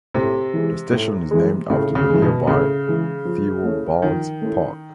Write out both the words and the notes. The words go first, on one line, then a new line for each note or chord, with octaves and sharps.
The station is named after the nearby Theobalds Park.
A2 C3
E3 G#3
A2
E3 G#3
A2 C#3
C#3
E3 G#3
B2
A2 C#3
E3 G#3
F3
A3 C#4 E4
D#3 F3
A3 C#4 E4